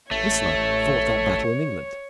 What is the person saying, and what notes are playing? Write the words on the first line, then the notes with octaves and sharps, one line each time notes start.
Whistler fought that battle in England.
A1 A3 C#5